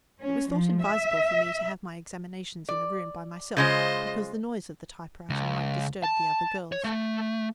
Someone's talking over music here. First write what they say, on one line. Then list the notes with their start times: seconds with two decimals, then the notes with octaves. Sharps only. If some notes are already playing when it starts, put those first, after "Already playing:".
It was thought advisable for me to have my examinations in a room by myself, because the noise of the typewriter might disturb the other girls.
0.21 C#4
0.51 F3
0.82 E5
2.69 D5
3.57 C#3 G#3 F4 C5 D#5
5.30 C#2
6.03 A5
6.72 C#5
6.84 A3